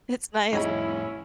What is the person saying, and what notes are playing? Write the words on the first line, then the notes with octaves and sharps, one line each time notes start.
it's nice.
F2 A2 C#4 D#4 E4 G#4 B5